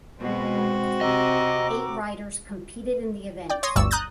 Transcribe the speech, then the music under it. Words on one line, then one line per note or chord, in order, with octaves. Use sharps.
Eight riders competed in the event.
B2 G#3 C4 F#4
C3 D#5 A#5 D6 E6
D5 G5
C#5 C6 D#6 G#6 A#6
G1 D2 G2 D5 C#6 E6
A#5 D#6 F#6 G6 A6